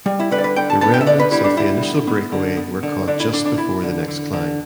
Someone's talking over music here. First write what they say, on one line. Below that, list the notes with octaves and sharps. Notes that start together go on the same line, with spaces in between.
The remnants of the initial breakaway were caught just before the next climb.
G3
E4
D3 B4
D5
B4
D3 G5
A5
B3 A5
G5
E5
D3 D5
B4
G3 E4
D4
D3 E4
B3
B3
D3
B3
D3
D3 D4
E4
D3 D4
D4
B3 E4
D3
D3
D3